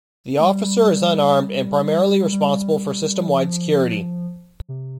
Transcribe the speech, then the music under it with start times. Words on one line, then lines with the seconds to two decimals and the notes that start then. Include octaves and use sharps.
The officer is unarmed and primarily responsible for system wide security.
0.39 A3
0.44 G3
2.32 G3
3.27 F3
4.69 C3